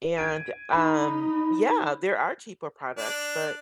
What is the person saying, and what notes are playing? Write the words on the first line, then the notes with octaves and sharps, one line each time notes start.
and, um, yeah, there are cheaper products, but
G#6 D7 D#7
D#4 B5
D4